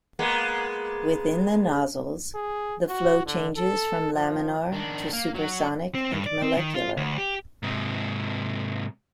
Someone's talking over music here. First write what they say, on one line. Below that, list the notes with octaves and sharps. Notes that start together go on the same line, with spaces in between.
Within the nozzles, the flow changes from laminar, to supersonic and molecular.
G#3 A#3 B3
G#4
F#4
D3
A4
F3
D#3 D4
A#3
F#3 F#4
C4
G2
D5
C4
D#3
F4
D2
G4
G#2 C3